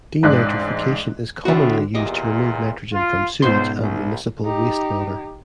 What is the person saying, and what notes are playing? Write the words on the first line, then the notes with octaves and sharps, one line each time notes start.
Denitrification is commonly used to remove nitrogen from sewage and municipal wastewater.
A1 G#2 G#3 D4 D5 F#6
A2 D3 B3 F#4
E2 A#2 G4 D#5
F4
C#2 G#2 B2 C5 C6
C2
D#4 G4